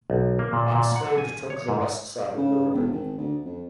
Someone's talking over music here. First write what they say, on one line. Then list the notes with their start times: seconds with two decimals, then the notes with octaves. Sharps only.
Oxford took the west side of the river.
0.10 B1
0.39 A#3
0.53 A#2
0.75 A#2
0.96 F#5
1.18 G#5
1.50 C#5
1.68 G#2
2.37 C#3
2.73 E1
2.92 G#1
3.17 D2
3.45 F2